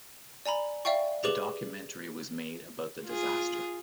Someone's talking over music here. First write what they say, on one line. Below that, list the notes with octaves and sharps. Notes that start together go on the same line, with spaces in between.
A documentary was made about the disaster.
D5 G#5 A#5 B5
D5 E5 F5 G5 C#6
G4 G#4 B4 D6 E7 F#7
F4 G#4